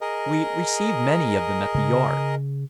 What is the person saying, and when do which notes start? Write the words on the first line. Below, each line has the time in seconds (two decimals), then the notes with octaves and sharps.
We receive many of them at the Yard.
0.01 G#4 A#4 D#5
1.75 C#3